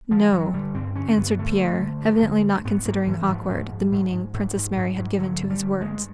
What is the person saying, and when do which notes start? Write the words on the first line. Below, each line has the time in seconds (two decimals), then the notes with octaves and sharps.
"No," answered Pierre, evidently not considering awkward the meaning Princess Mary had given to his words.
0.11 D3 F3
0.33 G2 F#3
0.54 D3 G3
0.74 G2 C4
0.96 D3 C#4
1.17 G2 B3
1.38 D3 A3
1.59 G2
1.80 D3
2.01 G2
2.22 D3
2.43 G2
2.65 G#2 B3
2.85 G#2 A#3
3.07 G#2 E3
3.28 G#2 F3
3.50 G#2
3.70 G#2
3.92 G#2
4.12 G#2
4.34 G#2
4.55 G#2
4.76 G#2
4.97 G#2
5.18 D3 F#3
5.39 G2
5.50 G3
5.60 D3
5.81 G2 G#3